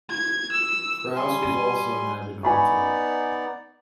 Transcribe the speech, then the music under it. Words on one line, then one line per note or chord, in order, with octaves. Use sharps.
Prowse was also an avid hunter.
G#6
E6
G3 G#5 C6
D#7
B3 D#4 D5 G#5 B5 C#6